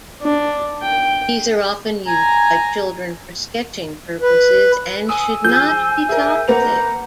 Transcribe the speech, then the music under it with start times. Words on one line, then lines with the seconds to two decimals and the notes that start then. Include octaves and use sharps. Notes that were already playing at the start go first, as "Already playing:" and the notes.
These are often used by children for sketching purposes, and should not be toxic.
0.22 D4
0.83 G5
2.07 G#5 A#5
4.22 B4
5.09 G#5 D#6 E6
5.45 F3 G#4 G6
6.09 G#4 A#4 E5
6.48 A#3 B4 F#5 A#5 F7